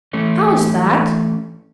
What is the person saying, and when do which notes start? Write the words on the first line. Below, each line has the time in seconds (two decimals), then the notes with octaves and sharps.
"How's that?"
0.13 E3 A3 C#4